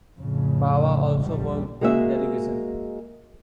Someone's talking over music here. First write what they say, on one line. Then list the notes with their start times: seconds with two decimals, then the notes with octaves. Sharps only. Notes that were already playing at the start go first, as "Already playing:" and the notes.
Bava also worked in television.
0.18 F2 A2 C#3
1.24 A#1 D#2 D3 G3
1.81 G#3 A#3 F#4 G#4 E5